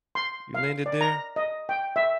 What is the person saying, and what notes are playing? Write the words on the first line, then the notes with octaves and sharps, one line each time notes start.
you landed there?
C6
F5
D5
A#5
D#5
G5
E5